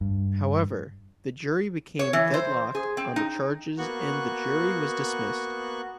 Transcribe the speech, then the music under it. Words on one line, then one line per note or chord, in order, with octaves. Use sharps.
However, the jury became deadlocked on the charges and the jury was dismissed.
G2
C#5
E3
C5
G#4
C4
D#4
A#3 B3 F#4 C#6 F#6